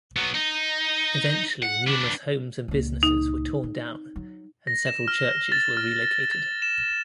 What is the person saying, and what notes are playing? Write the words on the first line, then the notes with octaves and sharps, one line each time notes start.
Eventually, numerous homes and businesses were torn down and several churches were relocated.
F#3 B3
D#4
F#5
B3 D4
C#2 A#2
D#4
C4
F#3
A#6
E7
F6
A6
F6
A6
E7